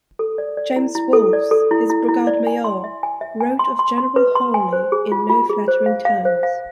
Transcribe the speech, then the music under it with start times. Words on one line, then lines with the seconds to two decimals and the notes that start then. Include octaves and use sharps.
James Wolfe, his brigade-major, wrote of General Hawley in no flattering terms.
0.19 A4
0.38 D5
0.57 D5
0.76 E4
0.95 E4
1.13 A4
1.33 D5
1.51 A4
1.71 E4
1.90 E4
2.09 E4
2.27 D5
2.47 G#5
2.64 C6
2.84 E5
3.03 G#5
3.21 E5
3.41 G#5
3.59 C6
3.79 C6
3.98 C6
4.16 B4
4.36 C6
4.54 G#5
4.73 C5
4.92 G#4
5.12 F4
5.29 F4
5.49 G#4
5.68 C5
5.86 F5
6.05 F5
6.25 C5
6.43 F5